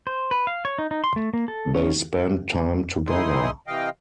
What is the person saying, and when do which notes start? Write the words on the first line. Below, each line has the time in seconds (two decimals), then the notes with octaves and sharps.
They spend time together.
0.07 C5
0.31 B4
0.47 F5
0.65 C#5
0.79 D#4
0.91 D#4
1.04 C6
1.16 A3
1.34 A#3
1.48 A4
1.75 C#4
3.08 D#4 E4 G#4 C6 D#6
3.67 C3 E3 D#5 F5 G5